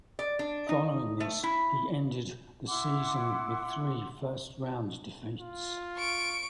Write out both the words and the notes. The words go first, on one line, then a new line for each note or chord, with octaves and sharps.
Following this he ended the season with three first round defeats.
D5
D4
D#4
A3
E4
E4 F#5 C6 D6
F4
C#6 D7